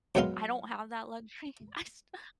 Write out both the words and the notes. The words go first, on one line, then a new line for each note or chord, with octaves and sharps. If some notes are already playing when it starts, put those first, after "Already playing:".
I I don't have that luxury. I sta
F#2 F#3 G#3 B3 F5 C6